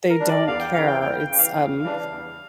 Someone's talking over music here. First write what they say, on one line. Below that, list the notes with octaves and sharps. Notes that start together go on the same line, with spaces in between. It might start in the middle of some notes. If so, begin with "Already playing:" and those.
they don't care. It's, um
A#4
G3 D4
D5
E2 F5
G5
C#3 E3 F5
G5
E2 G5
G5
C#3 E3
F5
E2
C#3 E3 G3 D4
E2